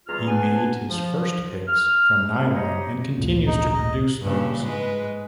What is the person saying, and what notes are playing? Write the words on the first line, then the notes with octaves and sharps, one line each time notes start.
He made his first picks from nylon, and continues to produce those.
E2 G3 F4 G#4 A#5 F6
B3 D4 G#5
F3
F6
D#4 G4 C5 C#5 D#5
G#1 D2 A#2
D#4
D#5
G2 A#2 C#3
G#2 G#3 B4